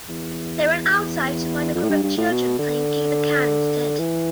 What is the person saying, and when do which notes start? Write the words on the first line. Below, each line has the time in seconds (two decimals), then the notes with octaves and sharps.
They run outside to find a group of children playing kick the can instead.
0.08 E2
1.75 F2
1.83 A2
1.89 G2
2.04 G2
2.17 A2
2.31 B2
2.59 D3
3.99 E3